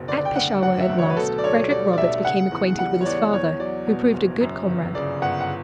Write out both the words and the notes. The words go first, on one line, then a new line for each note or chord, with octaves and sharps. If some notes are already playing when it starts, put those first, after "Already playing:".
At Peshawar at last Frederick Roberts became acquainted with his father, who proved a good comrade.
Already playing: F#1 B2
D3 D5
G5
D2 F#5
F#3 F#5
E5
D2
C#5
B4
B2 A4
D5
B1 C#5
G3 D5
D5
B1 E5
C#3 F#5
E2
G3 F#5
C#5
E2 D5
E2 C#5
F#3 D5
B2
F#1
F#2
G1
C#3 D5
G1 F#5
F#5